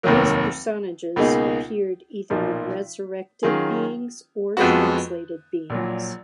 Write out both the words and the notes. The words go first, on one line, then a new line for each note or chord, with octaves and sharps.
These personages appeared either as resurrected beings or as translated beings.
F1 D#2 D#3 F#3 A#3
C#2 B2 A#3 D#4 G#4
B1 A#2 F3 A#3 D#4
D#3 F#3 C#4 F4 G#4
F2 F3 G#3 B3 F#4
A#1 A#2 F#3